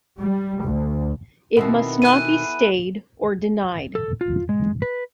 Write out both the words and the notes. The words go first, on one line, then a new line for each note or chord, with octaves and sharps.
It must not be stayed or denied.
G3
D2
B2 D#3 B3 C4 E4 A4
E3 F#6 D#7
A4
F4
G#3
B4